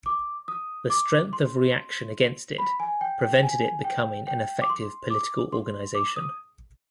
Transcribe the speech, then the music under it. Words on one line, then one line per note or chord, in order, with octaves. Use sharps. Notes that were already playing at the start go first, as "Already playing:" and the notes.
The strength of reaction against it prevented it becoming an effective political organisation.
D6
D#6
D6
C6
B5
G#5
G5
G5
G#5
G5
G5
D6
C6
D6
C6
D6
D#6